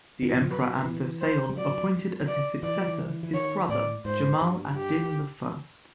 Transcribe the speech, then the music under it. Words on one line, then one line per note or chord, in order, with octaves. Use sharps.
The Emperor Amda Seyon appointed as his successor his brother, Jamal ad-Din the First.
D#3
E3
F3
F#3 B4
E3
C5
G3
F#3 D5
D5
E3 D5
F3
E3
E3
D#3 C#5
A2 D5
G#2 C5
G2
G4